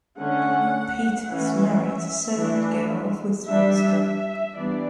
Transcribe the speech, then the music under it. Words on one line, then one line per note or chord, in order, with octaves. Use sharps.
Peters married a servant girl of Westminster.
D3 A3 C#4 F#5
E3 A3 C#4 E5
E3 A3 D4
G3 D4 E5
E5
E3 G3 B3 D4 D5